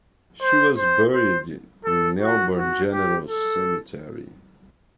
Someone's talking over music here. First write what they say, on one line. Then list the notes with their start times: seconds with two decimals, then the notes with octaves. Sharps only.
She was buried in Melbourne General Cemetery.
0.42 C5
0.77 C5
1.14 C5
1.85 A4
2.21 F#4
2.56 F#4
2.92 G4
3.28 A4